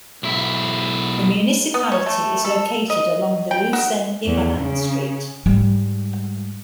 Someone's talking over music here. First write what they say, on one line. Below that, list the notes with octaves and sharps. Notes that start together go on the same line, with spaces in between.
The municipality is located along the Lucens-Yvonand street.
B1 E4
B3
C#5
A3
A4
D#5
G5
F#4
E2
C#3
G#2 G3